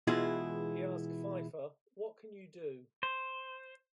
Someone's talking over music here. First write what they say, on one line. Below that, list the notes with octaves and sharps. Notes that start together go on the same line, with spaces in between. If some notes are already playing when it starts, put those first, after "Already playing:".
He asked Feiffer, What can you do?
B2 E3 G#3 E4 F4 G#4
C5